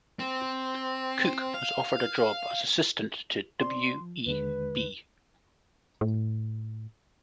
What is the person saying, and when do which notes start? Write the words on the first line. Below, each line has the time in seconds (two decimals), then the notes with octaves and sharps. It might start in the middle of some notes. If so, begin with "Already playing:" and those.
Cooke was offered a job as assistant to W. E. B.
0.19 C4
1.54 F5
3.60 C4 D5 C6
4.01 F3
4.26 D#2 D3 G#3 B4
6.01 A2